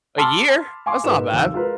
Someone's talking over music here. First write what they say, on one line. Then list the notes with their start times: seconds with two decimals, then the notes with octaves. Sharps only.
a year. That's not bad.
0.18 A5 B5 C6 D6 E6 F6
0.86 F5 G#5 C6 D6
1.04 G#2 A#4 B4 E7
1.32 F1 D#2 F5 E6
1.53 G#3 F4 A#4 B4